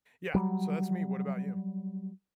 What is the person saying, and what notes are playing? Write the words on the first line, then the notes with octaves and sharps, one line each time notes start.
yeah. So, that's me, what about you?
F#3 G3